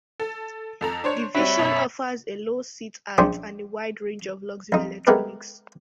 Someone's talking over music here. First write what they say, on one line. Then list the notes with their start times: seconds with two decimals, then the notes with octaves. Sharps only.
The Vision offers a low seat height and a wide range of luxury electronics.
0.20 A4
0.81 F2 A4 A#5
1.04 D4 C5 C#5
1.35 G3 C4 F#4 C#5 E5 B5
1.59 F#2 B2
3.18 A#1 G#2 C#4 D4 G4 C5
4.72 F2 D#4
5.07 G#3 A3 B3 G4 A#4 B4